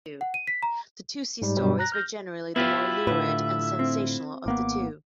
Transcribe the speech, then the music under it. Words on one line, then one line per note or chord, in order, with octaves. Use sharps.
The Tousey stories were generally the more lurid and sensational of the two.
F#5
D#7
B6
A#5
G#2 G3
G2 B2 F#3 G3
A#5 F#6 A#6
F6 G6 A#6
B3 E4 F4 G4 E5
A2 D3 B4
C4
G#1 A#3 B3 D6